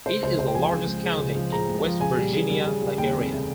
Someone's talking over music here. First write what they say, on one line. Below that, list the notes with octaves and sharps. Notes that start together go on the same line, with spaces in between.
It is the largest county in West Virginia by area.
C#3 C5
C#2 C5
C#3 C5
G5
F3 G#5
C#3
G#3
C#3
C#2
F3
C#3 A#5
G#3
F3
C#3 G#5
G3
C#3
G3
C#3
G3
D#2 G5
F1
C#3